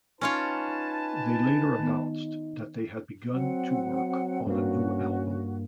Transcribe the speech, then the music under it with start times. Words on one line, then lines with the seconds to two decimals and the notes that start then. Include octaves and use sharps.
They later announced that they had begun to work on a new album.
0.21 C#4 D#4 F4 B4 C#5 G#5 A5
1.79 D#3 B3
3.34 F#3 C4 F#5
4.47 G2 A#3 C#4 F#4